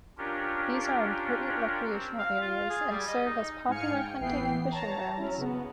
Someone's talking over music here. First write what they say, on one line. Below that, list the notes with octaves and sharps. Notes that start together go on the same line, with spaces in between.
These are important recreational areas, and serve as popular hunting and fishing grounds.
C#4 D4 F4 G4 A#4
C4
F5
F4
G#4
G3
D#5
D#4
G#2 F5 G#5 F6 C#7
G5
A1 E3 B3 G5 C7
C#5 A5 A#5
F#3 C#4 E4
C#3 B3